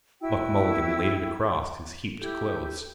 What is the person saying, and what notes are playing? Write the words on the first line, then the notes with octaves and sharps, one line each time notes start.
Buck Mulligan laid it across his heaped clothes.
E4 F#4 G5 E6
E4 G4 A4 G6